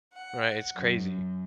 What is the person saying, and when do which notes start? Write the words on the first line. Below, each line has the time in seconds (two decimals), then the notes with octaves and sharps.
Right, it's crazy.
0.13 F#5
0.75 F#2